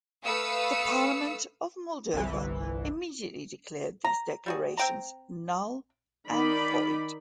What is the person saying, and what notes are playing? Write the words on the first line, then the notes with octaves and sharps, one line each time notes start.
The parliament of Moldova immediately declared these declarations null and void.
A3 B4 F5 D#6 E6 C#7
G1 C2 E3
A#5
G3 F#4 G#4
C4 G5 A#5
D#3 D#4 D5 B5